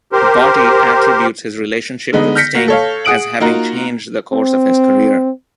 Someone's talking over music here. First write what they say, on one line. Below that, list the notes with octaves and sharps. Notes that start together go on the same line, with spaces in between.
Botti attributes his relationship with Sting as having changed the course of his career.
G4 A#4 C5
D3 G#3 B3 D#4
F6 G6 A#6 B6 C#7
A#3 F#4
A4 C#5 F5
G#4 F#5 D#6 D7 F#7
A#3 D#4 F4 F#4 A#5
C4